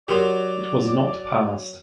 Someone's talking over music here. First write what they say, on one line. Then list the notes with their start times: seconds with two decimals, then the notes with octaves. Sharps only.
It was not passed.
0.08 F#3 G4 A#4 D5 C6